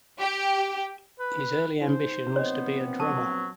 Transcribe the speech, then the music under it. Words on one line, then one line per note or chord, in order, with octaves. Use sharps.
His early ambition was to be a drummer.
G4
B4
D#4 C5
A#1 B3 C4 C#5 D#5
F#3 A5